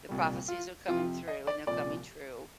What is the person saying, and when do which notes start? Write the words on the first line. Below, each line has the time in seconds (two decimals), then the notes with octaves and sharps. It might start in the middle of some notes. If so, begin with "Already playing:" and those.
the prophecies are coming through, and they're coming true.
0.09 C2 A#2 G3
0.48 F4
0.88 F2 C3 F3 F4
1.28 D#5
1.47 D5
1.67 C2 A#2 F3 D5